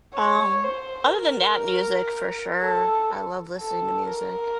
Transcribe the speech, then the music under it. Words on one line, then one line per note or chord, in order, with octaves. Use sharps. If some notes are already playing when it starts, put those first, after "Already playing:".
Um, other than that, music, for sure. I love listening to music.
C#5
C5
A#4
A4
A4
A#4